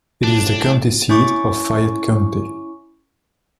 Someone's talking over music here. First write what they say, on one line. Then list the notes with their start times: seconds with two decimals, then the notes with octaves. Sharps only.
It is the county seat of Fayette County.
0.24 A2 D4
1.09 C#4 E4 C#6 D6